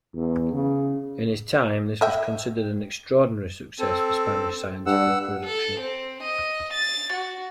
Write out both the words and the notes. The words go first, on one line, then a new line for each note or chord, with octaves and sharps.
In his time, this was considered an extraordinary success for Spanish scientific production.
E2
C#3
D#5 E5 G5
C4 A4
G2 F#5 E6
A4
C4
D#5
A6
F#4